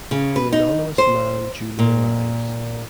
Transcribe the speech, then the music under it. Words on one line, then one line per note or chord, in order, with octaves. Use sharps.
The anonymous man duly arrives.
C#3
B4
D#4
C5
A#2